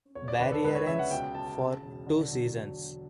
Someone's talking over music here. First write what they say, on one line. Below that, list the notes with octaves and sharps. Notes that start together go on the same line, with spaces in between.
Barreirense for two seasons.
E2 C#5
D5
D3 B4
A4
C#2 B4
C#5
C#3 E5
F#5
B1 G5
B3 A5
C#3
E1
D3
F#3